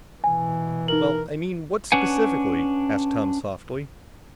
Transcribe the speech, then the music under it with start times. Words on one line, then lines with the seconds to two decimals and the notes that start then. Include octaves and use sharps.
"Well--I mean--what specifically?" asked Tom softly.
0.24 B2 E3 G#5
0.88 D#4 A#4 F#7
1.92 C#4 D4 B4 F#5 G#5